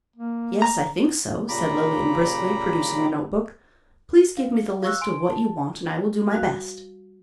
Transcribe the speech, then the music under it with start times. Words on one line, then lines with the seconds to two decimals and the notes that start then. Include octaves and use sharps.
"Yes, I think so," said Lilian briskly, producing her notebook. "Please give me the list of what you want and I will do my best."
0.16 A#3
0.62 A#5
1.49 A#2 C#3 G3 A#5 B5 D6
4.37 F5
4.83 F5 C#6 E6 F#6
5.01 G#5 C6 D7
5.29 A5
6.32 G3 F#4 F5 F#6